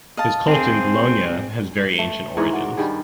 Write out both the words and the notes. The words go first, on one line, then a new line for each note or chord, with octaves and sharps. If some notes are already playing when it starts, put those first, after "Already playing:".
His cult in Bologna has very ancient origins.
D#5 F5 A5
C4 G#4 C5
A3
G#2 E3 A#4 C#5
F#4 D5
G2 D#3 G3 G#4